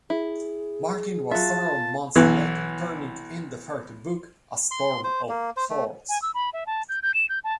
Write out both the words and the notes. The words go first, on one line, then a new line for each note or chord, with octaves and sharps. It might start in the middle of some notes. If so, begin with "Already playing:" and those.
Martin was several months late turning in the third book, "A Storm of Swords".
E4 G#4
F#3 F4 E5 A5
B1 E3
C6
C5
A#3
C5
A3
G#5
E6
B5
E5
A5
G6
G6
E7
G6
A5